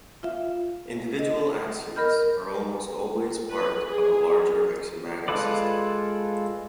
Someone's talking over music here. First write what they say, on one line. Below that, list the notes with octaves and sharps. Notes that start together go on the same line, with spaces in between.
Individual axioms are almost always part of a larger axiomatic system.
F4 E5 F5
D#5
A#4 D#5 B5 F6 G6
B4
G#4
G#3 F4 A4 B4 D5